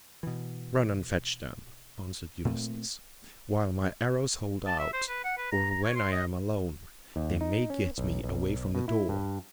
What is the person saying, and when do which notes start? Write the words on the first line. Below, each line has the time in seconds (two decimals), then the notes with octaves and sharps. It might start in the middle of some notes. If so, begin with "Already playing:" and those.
"Run and fetch them," answered Ulysses, "while my arrows hold out, or when I am alone they may get me away from the door."
0.23 B2 E3
2.45 A#2 A3 C4
4.67 A5
4.79 E5
4.93 C5
5.09 B4
5.24 F#5
5.38 B4
5.52 A#5
5.71 A#5
5.84 C#5
5.95 C6
6.12 D#5
7.16 D#2
7.41 D#4
7.70 C#4
7.98 B1
8.24 B1
8.75 B2
8.88 E4
9.09 G2